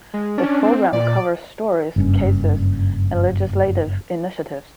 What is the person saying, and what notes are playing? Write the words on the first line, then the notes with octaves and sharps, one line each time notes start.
The program covers stories, cases, and legislative initiatives.
G#3
C#4 D4
C4
A#2 D5
F#1 G2 C#4